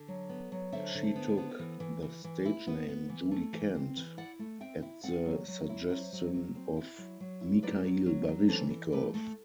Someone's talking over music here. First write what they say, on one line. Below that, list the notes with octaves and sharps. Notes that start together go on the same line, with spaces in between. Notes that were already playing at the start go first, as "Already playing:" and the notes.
She took the stage name Julie Kent at the suggestion of Mikhail Baryshnikov.
Already playing: D3
F#3
B3
F#3
D3 C5 E5
D3
B3
B3
E3
E3
E3
E3
E4
B3
B3
E3
A3
E3
C4
E3
E4 D5 F#5
A3
C4 E5 G5
E4
C4 D5 F#5
F#3
F#3
E4
F#3 C5 E5
F#3
F#3
C4
E4
F#3
F#3
E4
F#3 B4 D5
F#3
F#3
F#3
E3 A4 C5
E3
A3 G4 B4
A3